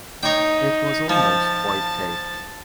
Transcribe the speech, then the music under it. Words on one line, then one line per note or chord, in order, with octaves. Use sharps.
It was almost wiped out.
D#4 C#5 G5
F3 A5